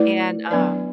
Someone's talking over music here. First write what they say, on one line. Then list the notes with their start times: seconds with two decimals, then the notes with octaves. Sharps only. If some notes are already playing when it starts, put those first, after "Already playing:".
And, um,
Already playing: A3 E4 B4 D5
0.51 F#3 B3 D4 B4 D5